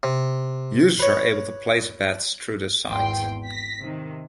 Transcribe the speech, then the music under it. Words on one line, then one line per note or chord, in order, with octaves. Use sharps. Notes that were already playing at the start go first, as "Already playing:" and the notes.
Users are able to place bets through the site.
C3
B4 C#5
G#1 E2 G5 C6
A#6 B6
C3 D#3